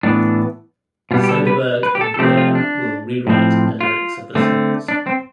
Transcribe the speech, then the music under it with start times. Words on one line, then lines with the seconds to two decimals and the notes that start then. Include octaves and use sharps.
Soderbergh and Greer will rewrite the lyrics of the songs.
0.03 A2 E3 B3 D4
1.11 B2 G3 B3 F4
1.23 G4
1.29 A4
1.47 B4
1.83 B4
1.95 G4
2.01 A4
2.14 A4
2.19 C3 F3 A3 C4 G4
2.37 F4
2.55 D4
3.27 A2 F3 C4
3.81 F4
4.35 D3 A3 C4
4.88 D4
5.07 C4